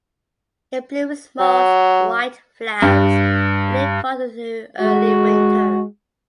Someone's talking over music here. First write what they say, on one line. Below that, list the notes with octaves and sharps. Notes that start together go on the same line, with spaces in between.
It blooms small white flowers in late fall to early winter.
F#3
G2
G#3 F#4